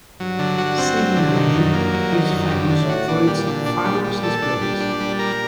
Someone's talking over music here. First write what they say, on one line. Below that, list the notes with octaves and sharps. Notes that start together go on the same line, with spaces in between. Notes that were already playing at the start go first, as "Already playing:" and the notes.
Seinaiji is famous for its fireworks displays.
G2 F#3
D3
F#4
C4
F#3
D3
D#3
F#2
A#3
G2 F#3
D#3
G2
F#2
G2 G3
D3
A2
F#4
A#2 D4
G3
D3
D4
G3
G3
A#2 A4
D4
G3
D4
G3
A#4